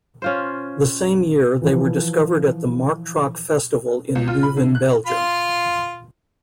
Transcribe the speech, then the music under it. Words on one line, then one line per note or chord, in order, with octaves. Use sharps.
The same year they were discovered at the Marktrock festival in Leuven, Belgium.
C#4 F4 C5
E3 F3
C#2
F4
B5
D3
F#6
F4 C6